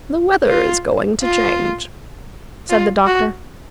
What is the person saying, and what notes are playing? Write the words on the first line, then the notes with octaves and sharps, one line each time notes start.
"The weather is going to change," said the Doctor.
F4
F4
F4
F#4